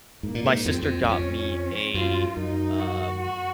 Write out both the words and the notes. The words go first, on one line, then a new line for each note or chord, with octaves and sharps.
my sister got me a, um
G#2 A#3
A#2
G#2
F2 C4
F2
F#2
F2 C#4
F#2 F4
F#2 D#4
F#4
F#4